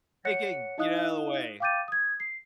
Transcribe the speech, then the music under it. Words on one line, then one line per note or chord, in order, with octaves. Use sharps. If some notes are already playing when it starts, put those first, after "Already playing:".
Hey, King, get outta the way.
C#5 F#5 F#6 C#7
D#4 E4 D#5 F5 D#6 F#6
F5 G5 D6 G6 A6 D#7
D#6 G#6
C7